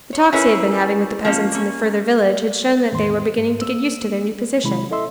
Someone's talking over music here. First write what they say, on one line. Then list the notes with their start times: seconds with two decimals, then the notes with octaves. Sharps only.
The talks he had been having with the peasants in the further village had shown that they were beginning to get used to their new position.
0.13 C#5
0.32 C#4 E4 G#4 A#4 B4 C#5
1.25 F3 A#3 C#4
1.52 A#3 C#4
2.92 E2 A2 D#3 C6
3.38 G#2
3.61 A#3 E6
4.64 C3 D#3 G#3 E4 B5
4.91 E4 A4 D#5 E5 C6 E6